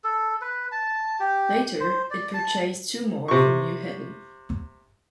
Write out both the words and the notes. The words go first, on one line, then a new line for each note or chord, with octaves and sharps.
Later it purchased two more from New Haven.
A4
B4
A5
G4
C5
D5
A5
C3 C#6